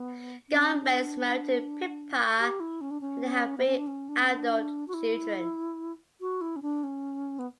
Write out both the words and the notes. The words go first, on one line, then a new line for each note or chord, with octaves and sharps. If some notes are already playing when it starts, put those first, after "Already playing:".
Gumbel is married to Pippa and they have three adult children.
Already playing: B3
C#4
D4
G4
E4
C#4
D4
C#4
B3
C#4
D4
C#4
D4
C#4
D4
F#4
E4
F#4
E4
C#4
D4
C#4
B3